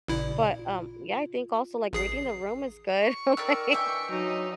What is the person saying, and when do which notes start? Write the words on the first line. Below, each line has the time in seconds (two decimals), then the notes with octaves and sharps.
But, um, yeah, I think also, like, reading the room is good, like,
0.08 A1 A#2 C#3 E4 D5
0.59 F4
1.93 A1 G#4 C7
3.00 C#6
3.37 D#3 A#4 D5 E6
3.73 E3 D4 E4 E5 G5
4.10 F#3 D#4